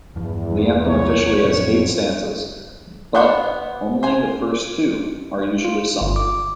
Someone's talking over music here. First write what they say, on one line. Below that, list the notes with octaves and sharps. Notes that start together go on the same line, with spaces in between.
The anthem officially has eight stanzas, but only the first two are usually sung.
E1 E2 G2 F3
B1 C3 F#3 C#5
F2 A2 F#3 B3
B3 D4 C5 F#5
C5 G#5
F4
G1
D6